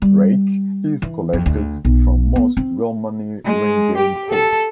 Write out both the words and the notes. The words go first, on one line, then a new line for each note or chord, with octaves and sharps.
Rake is collected from most real money ring game pots.
G3
E3
F2
D2
B1
B3
C4
G#3
G4
A4